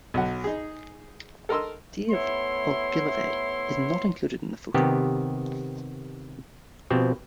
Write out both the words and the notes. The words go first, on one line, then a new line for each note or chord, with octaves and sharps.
Dave Ogilvie is not included in the photo.
B1 F#3 F#5
D#4 G#4
A4 A#4 D#5 C6 E6
A3 B3 E4 C#5 C6
C3 D#3 B3 G4
B2 F3 C4 G4